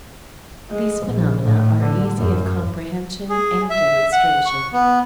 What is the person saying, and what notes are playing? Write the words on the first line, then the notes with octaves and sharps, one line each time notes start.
These phenomena are easy of comprehension and demonstration.
G#3
A#1
A2
D3
F#2
G#4
E5
F#5
C#6
B3